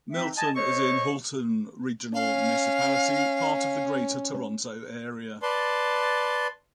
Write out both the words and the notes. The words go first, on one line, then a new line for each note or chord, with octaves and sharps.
Milton is in Halton Regional Municipality, part of the Greater Toronto Area.
E3 C4 D#4 E5
D#5 G#5 A5
A4 C5 C#5 D#5 C#6
C#4 F5
B4 D5 A5 C6